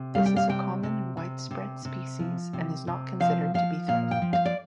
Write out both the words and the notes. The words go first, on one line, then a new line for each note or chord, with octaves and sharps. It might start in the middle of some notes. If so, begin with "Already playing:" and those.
This is a common and widespread species, and is not considered to be threatened.
Already playing: C3
G3 F5
G5
F5
C3 G5
C3
C3
C3
C3
F3
C3
C3
F3 F5
F3 F5
A#2 F5
G5
F3
F5
D5